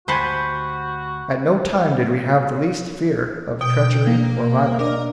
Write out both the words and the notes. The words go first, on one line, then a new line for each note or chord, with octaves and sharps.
At no time did we have the least fear of treachery or violence.
D2 F#4 G4 C5 F#5 G#5 A5 B5
B2 G5
A#3
D4 A#4 D5 D#5